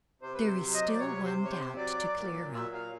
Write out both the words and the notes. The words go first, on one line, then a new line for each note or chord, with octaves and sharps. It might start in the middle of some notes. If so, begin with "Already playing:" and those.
There is still one doubt to clear up.
C3 C5
B4
C5
F#3
D#5
D5
C3 C#5
C5
C3
C#5
C5
F#3 D5
A#2
F#3 E5
F5